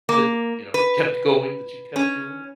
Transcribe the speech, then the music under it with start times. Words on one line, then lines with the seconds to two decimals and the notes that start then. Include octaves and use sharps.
that, you know, kept going that you kept doing?
0.09 A#3
0.74 B4
1.96 C#4